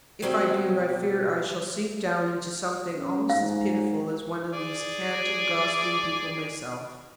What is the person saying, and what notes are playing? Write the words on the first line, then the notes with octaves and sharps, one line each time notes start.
If I do, I fear I shall sink down into something almost as pitiful as one of these canting, gossiping people myself.
B2 F#3 G3 A3 C4
C#4
G#2 F5
G#4 D5